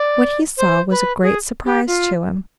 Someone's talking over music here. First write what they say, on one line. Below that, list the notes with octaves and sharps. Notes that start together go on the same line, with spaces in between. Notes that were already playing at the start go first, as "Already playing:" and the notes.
What he saw was a great surprise to him.
Already playing: D5
C5
B4
G#4
G4
F4